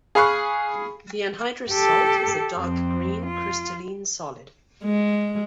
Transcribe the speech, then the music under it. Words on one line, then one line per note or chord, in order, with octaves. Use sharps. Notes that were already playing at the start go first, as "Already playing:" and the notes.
The anhydrous salt is a dark green crystalline solid.
G#4 F5 B5 C#6 F#6
G4 A4
F2 C4
F4
G#3